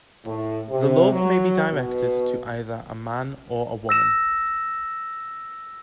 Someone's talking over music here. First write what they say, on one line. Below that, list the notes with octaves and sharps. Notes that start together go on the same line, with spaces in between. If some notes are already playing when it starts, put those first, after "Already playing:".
The love may be directed to either a man or a woman.
A2
C3
F#3
B2
E6 A#6 E7